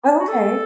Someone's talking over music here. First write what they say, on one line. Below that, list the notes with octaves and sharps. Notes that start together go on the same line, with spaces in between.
Oh, okay
F#4
A4